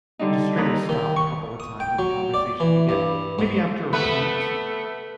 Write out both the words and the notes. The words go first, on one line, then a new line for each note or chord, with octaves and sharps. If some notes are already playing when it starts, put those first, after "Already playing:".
Just straight up stop a couple of times in the conversation to get maybe after a point,
D3 G3 D4 D#4
D#2 B4 A#5 D#6
D#3
C#6
D#6
G5
F#3
D5
E3
G2
G#2
A3 B3 B4